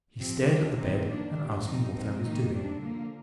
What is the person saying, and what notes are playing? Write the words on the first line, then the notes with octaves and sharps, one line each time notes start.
He stared at the bed, and asked me what I was doing.
C3 F3 C4
C3 G3 D4
D#3 G3 C4 D#4
F3 A#3 D4
A#2 G3 D4
F3 C4 D#4
F3 G#3 C4 D#4
D#3 A#3 D#4
C3 G3 D4
D3 F3 A#3